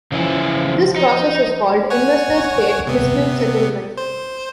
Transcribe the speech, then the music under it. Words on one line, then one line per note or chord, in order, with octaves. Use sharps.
This process is called investor-state dispute settlement.
C#3 E3 F3 E4
D#4
C#5 F#5 G#5
C3 B3
C5